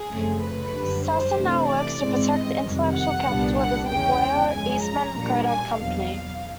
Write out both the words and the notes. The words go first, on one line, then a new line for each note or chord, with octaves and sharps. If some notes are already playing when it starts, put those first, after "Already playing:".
Sasson now works to protect the intellectual capital of his employer, Eastman Kodak Company.
Already playing: G#4
F#2 C#3 F3 A3 C4
B4
F#2 D3 G3
C5
C3 E3 A3 D4
D5
G#2 E3 G#3 C4
D#5
F2 C3 D#3 G3
F#5
C2 A#2 G3 B3 D4
F#5
E2 C#3 E3 G#3 C#4 G5
F#2 C#3 F3 G#3 G#5
A#5
A#2 G3 A#3 D4
G#5
E2 B2 F#3 F5